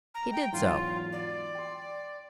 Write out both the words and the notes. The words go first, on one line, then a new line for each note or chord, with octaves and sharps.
He did so.
A#5
G5
E2 G#2 F#3 F4
D5
G5 C6